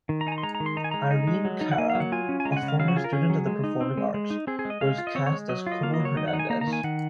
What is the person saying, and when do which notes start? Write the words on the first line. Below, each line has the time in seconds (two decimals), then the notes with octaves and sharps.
Irene Cara, a former student of the Performing Arts, was cast as Coco Hernandez.
0.09 D#3
0.21 A#5
0.27 D#4 G#5
0.32 A#5
0.38 C6
0.43 G#3 A#5
0.55 A#5
0.60 D#3
0.66 C6
0.77 D#4 A#5
0.84 G#5
0.91 G#3 A#5
1.11 D#4
1.27 G#3
1.45 F#3
1.61 D#4
1.72 F#5
1.78 A#3 G#5
1.90 F5
1.95 F#3
2.00 F#5
2.12 F4 G#5
2.29 C#4
2.40 G#5
2.45 G#3 A#5
2.52 G#5
2.57 F#5
2.63 C#3
2.68 F5
2.79 F#3 F5
2.88 F#4
2.96 F4 G#4
3.04 A#4
3.13 C#4 G#4
3.30 F#3
3.47 G#3
3.64 D#4
3.81 C4
3.97 G#3
4.14 G#3
4.30 D#4
4.47 C4 G#4
4.59 G#4
4.65 G#3
4.70 D#5
4.81 G#3 F5
4.98 F4
5.07 D#5
5.15 C4 C#5
5.26 C#5
5.32 G#3
5.49 F#3 D#5
5.66 F4
5.72 D#5
5.83 A#3 F5
5.94 D#5
6.00 F#3
6.05 C#5
6.16 D#3 D#5
6.28 F#5
6.33 D#4
6.39 G#5
6.50 A#3 A#5
6.61 A#5
6.67 D#3
6.73 G#5
6.84 D#3 F#5